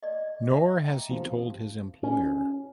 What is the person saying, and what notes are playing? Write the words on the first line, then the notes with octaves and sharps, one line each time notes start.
Nor has he told his employer.
D5 D#5
E5
G5 A#5
F2 C3 F3
C#4